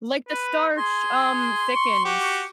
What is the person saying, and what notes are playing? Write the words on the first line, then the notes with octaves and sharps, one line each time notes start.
Like, the starch, um, thickens.
B4
G#4 C6
C#6
F#4 G4